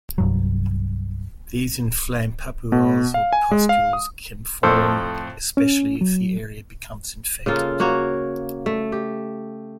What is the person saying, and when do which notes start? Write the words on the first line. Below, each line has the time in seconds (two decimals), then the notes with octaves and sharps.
These inflamed papules or pustules can form especially if the area becomes infected.
0.18 C2 G2 F#3
2.72 B2
3.14 F5
3.33 G#5
3.51 G#3
3.69 F5
3.93 D#6
4.63 F2 A2 A4 C5
5.57 C#4
6.01 F#3
7.46 C#3 A#3 F4 A4
7.80 A#3 F#4 C#5
8.66 A3
8.92 G4